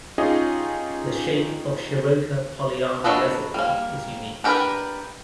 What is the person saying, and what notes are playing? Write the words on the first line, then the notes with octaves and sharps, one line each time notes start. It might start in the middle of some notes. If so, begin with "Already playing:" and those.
The shape of Shiroka Poliana reservoir is unique.
C#4 D#4 F4 G4 G#4 D#5
F#3 D4 A4 B4 D#5
G3 A#3
D4 G4 A#4 B4